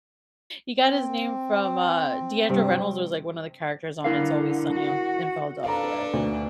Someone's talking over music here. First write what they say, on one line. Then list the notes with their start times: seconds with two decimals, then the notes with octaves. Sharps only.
he got his name from, uh Deandra Reynolds was, like, one of the characters on It's Always Sunny o in Philadelphia, and
0.79 C4
2.49 G2 C3 G3
4.04 D3 E4 A#4 F5
4.73 F#4
5.64 D4 A4 B4 F5 A#5
6.13 D2